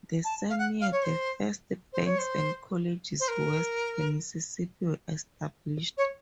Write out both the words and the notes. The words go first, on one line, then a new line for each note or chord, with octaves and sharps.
The same year, the first banks and colleges west of the Mississippi were established.
A5
F5
F#5
F5
C#5
C5
C5
C#5
C5
C5
A#4
C#5